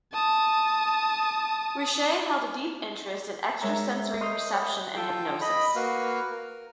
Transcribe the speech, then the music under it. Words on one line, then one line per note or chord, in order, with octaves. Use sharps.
Richet held a deep interest in extrasensory perception and hypnosis.
A5 D#6
G#3 A#4 C#5 E5 A#5
D#5 C6 C#6 D#6 F6 G6
C#5 F#5 C#6
F4 A4 G5
D#5 B5
A#3 F#4 B4 F5
A#4